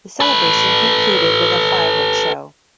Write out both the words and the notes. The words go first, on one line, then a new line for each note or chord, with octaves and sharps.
The celebration concluded with a fireworks show.
A4 B4